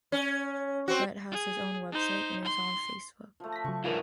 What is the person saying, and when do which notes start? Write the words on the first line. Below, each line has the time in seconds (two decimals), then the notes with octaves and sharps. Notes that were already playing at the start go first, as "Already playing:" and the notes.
Chet has his own website, and is on Facebook.
0.12 C#4
0.88 C4 F#4
1.31 G#4
1.92 D#4 C5
2.44 C6
3.40 F3 A3
3.53 A#6 B6
3.65 C#3 F#3 G5 C#6
3.84 G#2 D#3 E3 D4 F4 A#4 C#5